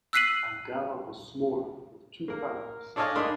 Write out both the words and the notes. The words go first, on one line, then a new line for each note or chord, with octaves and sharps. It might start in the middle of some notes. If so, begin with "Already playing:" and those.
"Angara" was smaller, with two funnels.
E6 F#6 B6 C7 D#7 F#7
A#3 A#4
D4 A4 C#5 D#5 F5 G#5
A#3 D4 D#4 B5 C6 D#6